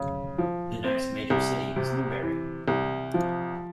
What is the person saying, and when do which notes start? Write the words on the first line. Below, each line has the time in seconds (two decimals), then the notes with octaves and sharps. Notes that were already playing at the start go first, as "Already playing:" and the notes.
The next major city is Newberry.
Already playing: C#3
0.38 F3
0.84 C4
1.30 C2
1.76 C3
2.22 E3
2.68 C2
3.14 F3